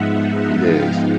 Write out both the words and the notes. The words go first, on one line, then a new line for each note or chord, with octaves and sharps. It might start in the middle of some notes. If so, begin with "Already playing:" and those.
It is.
Already playing: G#2 F3 G#3 B3 D#4 E5 F#5
E5 F#5
F5 G5